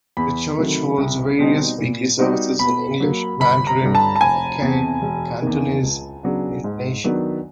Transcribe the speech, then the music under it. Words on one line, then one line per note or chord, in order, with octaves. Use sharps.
The church holds various weekly services in English, Mandarin, Hokkien, Cantonese, and Indonesian.
E2 B5
C3 D#3 F#3 A3
C2
B2 G3 C4 D#4
A#2
G3 B3 D#4 F#4
B2 B5
F#3 A#3
G1 B5
A#5
G2 D3 G3
A5
A5
F1 G#5
E2 C3
E1
E2 C3 D#3
C#2
C#3 F#3 B3 D4
G#2
D#3 F#3 B3 D4